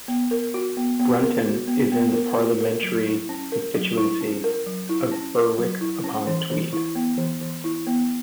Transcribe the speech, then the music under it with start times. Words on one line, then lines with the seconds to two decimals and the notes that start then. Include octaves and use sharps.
Brunton is in the parliamentary constituency of Berwick-upon-Tweed.
0.08 B3
0.31 A#4
0.54 F#4
0.77 B3
0.99 B3
1.22 A#4
1.46 F#4
1.68 B3
1.92 B3
2.15 A#4
2.37 F#4
2.60 A#4
2.83 F#3
3.06 E4
3.29 C#4
3.52 A#4
3.74 F#3
3.98 E4
4.21 C#4
4.44 A#4
4.67 F#3
4.89 E4
5.12 C#4
5.36 A#4
5.58 F#3
5.81 E4
6.04 C#4
6.27 E3
6.50 E3
6.73 E4
6.95 B3
7.18 E3
7.41 E3
7.64 E4
7.87 B3